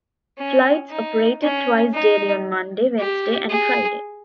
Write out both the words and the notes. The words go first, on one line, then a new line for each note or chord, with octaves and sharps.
Flights operated twice daily on Monday, Wednesday and Friday.
C#4
D#4
C#4
D#4
G4
G#4